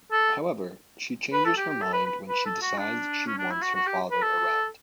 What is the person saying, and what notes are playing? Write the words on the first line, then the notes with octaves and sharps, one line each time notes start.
However, she changes her mind when she decides she wants her father around.
A4
B4
A4
G4
G4
A4
B4
B4
B4
A4
F#4
D4
C#4
D4
E4
F#4
F#4
G4
B4
A4